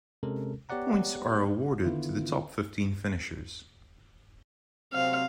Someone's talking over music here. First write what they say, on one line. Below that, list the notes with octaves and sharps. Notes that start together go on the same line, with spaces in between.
Points are awarded to the top fifteen finishers.
C3 G#3 C#4 A4 A#4
B3 G4 C#5 D5 F#5 A#5
D3 D#3 B3 E4 F4
C3 F#3 C4 F5